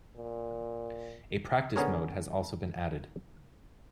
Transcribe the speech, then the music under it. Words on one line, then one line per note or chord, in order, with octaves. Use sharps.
A practice mode has also been added.
A#2
D3 B3 C#4 G#4 A#4 C#5